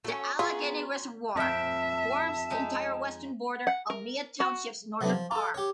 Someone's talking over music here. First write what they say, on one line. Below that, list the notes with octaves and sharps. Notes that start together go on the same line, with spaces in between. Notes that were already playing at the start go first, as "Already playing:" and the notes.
The Allegheny Reservoir forms the entire western border of Mead Township's northern arm.
A3 C#4 F#4 C#6 D#6
B3 F4 G#4 G#5 A#5 C6
F2 E5 G5 A5
G#3 D#4
F#5
A#4
F#4
C3 F#3 A3 B3 D4
F3
F4 A4
G4 C#5